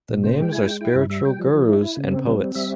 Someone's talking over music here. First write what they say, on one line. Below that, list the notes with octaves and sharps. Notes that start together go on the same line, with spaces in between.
The names are spiritual gurus and poets.
A#2
C#3 C5
G#3 G5
E4 G#5
G#3 G5
E4 G5
G2 E5
G3 E5
G3 G5
F3
F3
E4
E4
C#3
C4
G3
C4
G3 E5